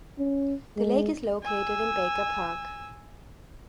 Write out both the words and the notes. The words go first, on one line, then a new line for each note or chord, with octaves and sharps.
The lake is located in Baker park.
C#4
G#3
G#5 E6